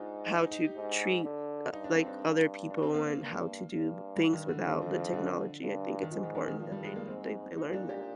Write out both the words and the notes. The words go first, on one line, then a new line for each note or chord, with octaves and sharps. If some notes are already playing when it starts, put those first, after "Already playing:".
how to treat, uh, like, other people and how to do things without the technology, I think it's important that they they they learn that.
Already playing: G#2 D4 D#4 F4
D#4
D#4
D#4
G4
G#2
D3
G2 D#4
D4
C4
D4
D4
C4
A#3
A#3
G2
G2
G3
D#3
D3
F2 D#3
F3
F3
D3
G2
D#3
G#2 F3
D#3
D#3
D#3
G2 F3
G3
G#3
A#3
G#2 C4
A#2 D#4
D4
G4